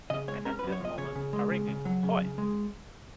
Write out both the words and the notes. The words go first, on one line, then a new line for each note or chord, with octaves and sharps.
And at this moment a ringing "Hoy!"
C#3 D#5
G#3 C#5
C#4 A#4
B4
F#2
C#5
F3 D#5
C#3 C#5
C#3
G#3
C#3
C#3
F#3
C#3
C#3
G#3